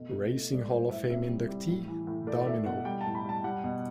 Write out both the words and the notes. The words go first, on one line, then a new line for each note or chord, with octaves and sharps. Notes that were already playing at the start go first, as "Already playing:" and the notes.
Racing Hall of Fame inductee, Domino.
Already playing: B2 A3
A3
A3
G3 D5
A2 C5
A2 E5
C3 E5
G3
G3
A2
E3
A2
A3 D5
D5
A3 E5
B2 F#5
G3 G5
A2 A5
B5
G3 A5
G3 F#5
B2